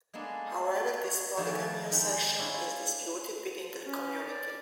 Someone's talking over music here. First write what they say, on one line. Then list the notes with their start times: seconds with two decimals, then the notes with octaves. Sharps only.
However this polygamy assertion is disputed within the community.
0.13 G#3 A#3 B3 D4 A4
1.03 F#4 C#5
1.37 D#3 F3 B3 E4 F#4 G#4
1.89 G#3 C4 D#4 G4 A#4
2.38 C#4 D4 E4 F4
3.85 C#4
4.27 D5